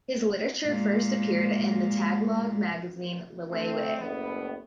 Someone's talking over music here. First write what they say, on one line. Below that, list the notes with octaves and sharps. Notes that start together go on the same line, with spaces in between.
His literature first appeared in the Tagalog magazine, "Liwayway".
A#2 G#3
D2 A3 C4
F#1 A2 B3